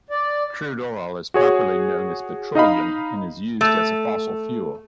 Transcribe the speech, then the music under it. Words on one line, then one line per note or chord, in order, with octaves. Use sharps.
Crude oil is properly known as petroleum, and is used as fossil fuel.
D5
F#4 G#4 C#5
D#4 D#5 F5 B5
A3